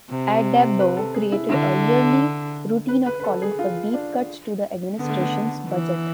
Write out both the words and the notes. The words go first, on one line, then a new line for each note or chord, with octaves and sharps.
Addabbo created a yearly routine of calling for deep cuts to the administration's budget.
C3
B4
A4
G#4
E4
D3 E4
B4
B4
B4
A4
G#4
F4
D4
D3 B3
A3
B3
E3